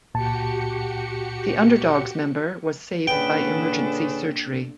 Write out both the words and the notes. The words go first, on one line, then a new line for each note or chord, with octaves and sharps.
The Underdogs member was saved by emergency surgery.
C#2 A#2 F#4 G4 A5 C#7
A#2 D3 C#4 D4 G#4 A4 B4 G5